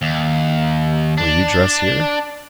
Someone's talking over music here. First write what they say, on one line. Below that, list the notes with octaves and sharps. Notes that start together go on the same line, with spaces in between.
"Will you dress here?"
D#2
D4